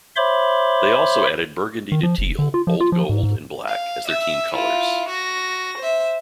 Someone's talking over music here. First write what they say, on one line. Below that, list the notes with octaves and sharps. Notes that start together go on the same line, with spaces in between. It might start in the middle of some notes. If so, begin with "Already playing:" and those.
They also added burgundy to teal, old gold and black as their team colours.
C5 C#5 E5 B5 C6 D6
D#3
F3
F#1
D3
F4
F3
F4
F3
G#2
G#2
F5
E5 E6
E4 F4
F#4 A#6
C5 E5